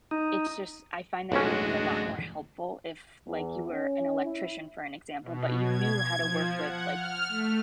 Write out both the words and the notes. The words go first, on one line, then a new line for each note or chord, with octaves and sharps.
it's just I find that it would be a lot more helpful if, like, you were an electrician for an example, but you knew how to work with, like,
D#4
B1 F#2 A2 G#3 C#4 D4 F#4
E2
C#4
E4
B2
G#6
F3
F#5
F6
A3